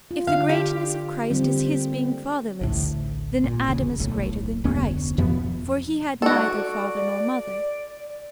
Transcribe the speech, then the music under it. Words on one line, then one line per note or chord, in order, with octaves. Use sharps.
If the greatness of Christ is His being fatherless, then Adam is greater than Christ, for He had neither father nor mother.
F4
D3 D4 F5
G4
D3 G3 C4
A#3
A1 D2 A2
A#2
E1 C#3
D1 B1 A2
F1 D2 B3 C#4
F2 B2 F3 B3
F#4 A4 D5